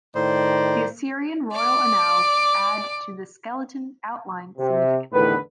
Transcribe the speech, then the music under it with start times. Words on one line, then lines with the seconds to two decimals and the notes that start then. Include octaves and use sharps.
The Assyrian royal annals add to this skeleton outline significantly.
0.15 A2 D#3 C5 D5 A#5
1.52 D5 D6
4.58 C3
5.12 E2 A2 D3 D#3 B3 B4